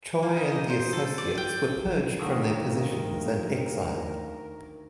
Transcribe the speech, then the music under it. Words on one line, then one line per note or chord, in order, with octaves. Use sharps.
Choe and the associates were purged from their positions and exiled.
A#3
D#4
D#5
C5
A4
D5
G5
D2 D#3 A3 A#4 F5 G5